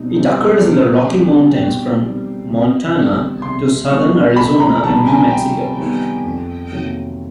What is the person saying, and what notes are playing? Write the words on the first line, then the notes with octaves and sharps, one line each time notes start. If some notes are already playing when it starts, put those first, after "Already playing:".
It occurs in the Rocky Mountains from Montana to southern Arizona and New Mexico.
Already playing: B2 G3 C4 D#4
G3 C4 D#4
B2
G3 C4 D#4
B2 G5
G3 C4 D#4
C3
D#3 G3 B3
C3 C6
D#3 G3 B3 C#6
C3 B5
A#5
D#3 G3 B3 A5
G#5
C3 G5
D#3 G3 B3
F2
C3 D#3 F#3 A#3